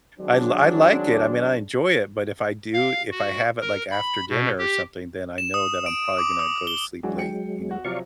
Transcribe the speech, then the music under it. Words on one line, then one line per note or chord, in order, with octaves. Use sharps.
I l I like it. I mean, I enjoy it, but if I do if I have it, like, after dinner or something, then I know that I'm probably gonna go to sleep late, you know?
D#3 F#3 G#3 C4 D4
F5
F#4
A#4
B5
B2
G4
E7
D#6
D7
D6
D#6
G7
E3 F#3 G#3 D4 F#4
G5 C#7
F#4
C3 F3 F#3 D5 F5 C#6